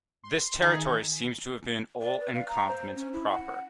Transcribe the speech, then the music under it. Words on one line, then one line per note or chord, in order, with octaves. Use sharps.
This territory seems to have been Ol nEchmacht proper.
C6
D#3 D#4 G#4
D5
B4
F5
A#5
C5
C#4
E4
F#5